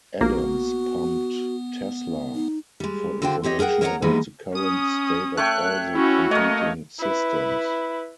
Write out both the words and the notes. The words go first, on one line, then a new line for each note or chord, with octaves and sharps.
Adams pumped Tesla for information about the current state of all the competing systems.
A#1 A#3 B3 F#4
D#4
G3 G#3
D3 F#4 C5 F5 G5
C4 G4 C#5 D#5
G#4 A#4 B4 F#5 G5
A#4 C#5 D#5 E5 F#5 A#5
E3 G3 G#3 A#3 B3 D#4
C#4 D#6
A3 C#5 G5 F#6
C#4 E4 F#4
A3 A#3 C#5 D#5
E4 B4